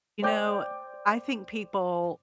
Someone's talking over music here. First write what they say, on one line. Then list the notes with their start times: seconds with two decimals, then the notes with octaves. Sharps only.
you know, I think people
0.22 C5 D5 G5 D6 G6